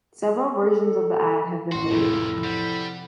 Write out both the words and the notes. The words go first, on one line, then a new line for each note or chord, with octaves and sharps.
Several versions of the ad have been made.
A4
A1 F#4 C6
F1 F2 A#2 E4 F4 A4
G3 C5 F#5